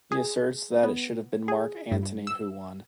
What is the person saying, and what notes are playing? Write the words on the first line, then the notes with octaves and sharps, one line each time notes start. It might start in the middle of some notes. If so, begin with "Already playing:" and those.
He asserts that it should have been Mark Antony who won.
G#4
B3
G#4
G2
E6